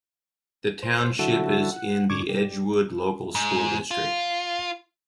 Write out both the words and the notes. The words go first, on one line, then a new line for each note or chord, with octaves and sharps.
The township is in the Edgewood Local School District.
C5
D3 F#3 E4 F#4 A4
F#5
G#2 D3 C#6 D6 G#6
G3
G#2
F4